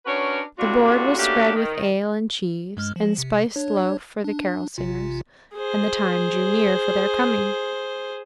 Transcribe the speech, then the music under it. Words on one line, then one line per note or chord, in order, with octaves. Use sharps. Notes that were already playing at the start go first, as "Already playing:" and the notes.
The board was spread with ale and cheese and spiced loaf for the carol-singers; and the time drew near for their coming.
C#4 D4 F#4 A#4 B4 C#5
A2 C3 D4 F4 F#4
A3 A#3 C#4 D4 F#4 G4
D#3
G2 G#3 F6
F3
C3
D4 C#5
D4
A1 C3 F4
G#4 C5